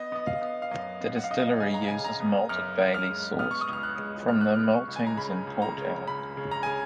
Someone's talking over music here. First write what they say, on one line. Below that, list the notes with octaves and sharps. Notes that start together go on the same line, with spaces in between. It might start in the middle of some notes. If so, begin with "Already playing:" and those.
The distillery uses malted barley sourced from the maltings in Port Ellen.
Already playing: B3 D#5
B3 D#5
F5
B3
F5
F#2 D#5
B3
F#5
F5
B3 D#5
F5
C#3 G#5
A#5
C#3 G#5
A#5
B3
F#2 F6
F#2
F6
G#3
B3 F6
C#6
D#6
C#2 F6
F#6
G#3
B3 F6
F#6
F6
B3
C#6
C#2
G#5
A#5
C#3 B5
C#2
A#5
C#3
C#2 B5
C#3
A#5
C#3 G#5